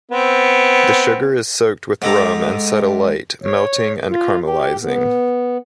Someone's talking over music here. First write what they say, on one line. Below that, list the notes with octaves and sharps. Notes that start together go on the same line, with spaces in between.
The sugar is soaked with rum and set alight, melting and caramelizing.
B3 C4
G#2 G#3 G4 A4 G5 A#5
C#5
F4
G4
B3